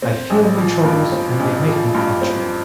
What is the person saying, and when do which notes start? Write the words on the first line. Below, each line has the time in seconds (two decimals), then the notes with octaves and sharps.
I feel my troubles, and they make me contrary.
0.02 C4
0.30 A1
0.57 F3
0.85 G2
1.12 C4
1.39 A1
1.67 F3
1.94 G2
2.21 C4